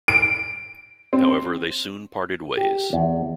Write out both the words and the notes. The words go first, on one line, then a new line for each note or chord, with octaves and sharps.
However, they soon parted ways.
D7
C4
G4
E2